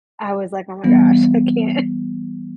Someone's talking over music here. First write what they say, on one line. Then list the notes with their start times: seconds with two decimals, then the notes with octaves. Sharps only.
I was like, oh my gosh, I can't
0.84 E3 G3 B3